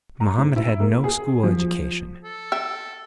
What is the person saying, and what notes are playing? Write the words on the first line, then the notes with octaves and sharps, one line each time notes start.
Mohammed had no school education.
A#5
G#2
E4
A#3
G#4
F3
A4
E5 G5 E6